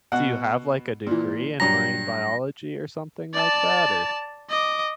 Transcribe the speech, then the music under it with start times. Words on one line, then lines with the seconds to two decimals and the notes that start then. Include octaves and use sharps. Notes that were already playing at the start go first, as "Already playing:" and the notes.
do you have, like, a degree in marine biology or something like that, or
0.12 B2 F#5
1.07 A#2 E3
1.60 G2 F#3 A#5 A#6
3.34 D5 A5
4.50 D#5 D6